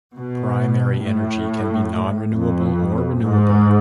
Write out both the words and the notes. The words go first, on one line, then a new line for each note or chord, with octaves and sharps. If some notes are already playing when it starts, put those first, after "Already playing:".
Primary energy can be non-renewable or renewable.
B2
A2
F2
G#2